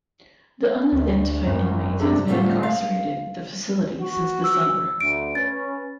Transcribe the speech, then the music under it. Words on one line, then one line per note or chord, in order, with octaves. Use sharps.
The unidentified inmate has been incarcerated at the facility since December.
D2
G#1 F#2
C3 D4 A4
A2 D3 G3 A3 C4 F4
F5
F#4
E6
D2 D7
C#4 B4 A6